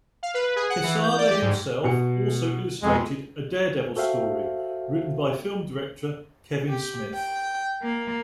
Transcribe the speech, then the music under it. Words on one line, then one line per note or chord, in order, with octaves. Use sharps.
Quesada himself also illustrated a "Daredevil" story written by film director Kevin Smith.
F5
B4
G#4
F#5
E3
G6
D5
G4
G#2
B2 C#7
F2 G#3
F#4 A4 C5 E5 F5 G5
G4
G5
A#3